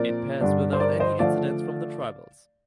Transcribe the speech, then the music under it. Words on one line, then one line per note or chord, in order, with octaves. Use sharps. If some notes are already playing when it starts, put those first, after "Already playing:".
It passed without any incidents from the tribals.
Already playing: A#2 F3 C4 A#4 D5
G2 D3 G3 D4
C5
A#4 D5
C5 D#5
D3 F3 A3 D5 F5